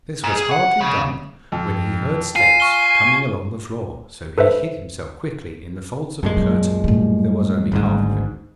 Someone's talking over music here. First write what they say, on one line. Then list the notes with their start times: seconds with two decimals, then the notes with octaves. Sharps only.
This was hardly done when he heard steps coming along the floor, so he hid himself quickly in the folds of a curtain. There was only half of him!
0.24 G#2
0.36 G#4
0.51 F#5
0.81 C#3
1.52 F2
2.36 F4 G#5 C7
2.60 C#6 F6 G7
4.38 A4 B4 C5 E5
6.23 F#2 A#2 G#3
6.37 F#3
6.84 A2 G3
7.72 G#1 D2 G#2